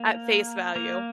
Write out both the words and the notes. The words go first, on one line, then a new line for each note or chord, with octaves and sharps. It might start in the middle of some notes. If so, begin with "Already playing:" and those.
At face value.
Already playing: A#3
A#3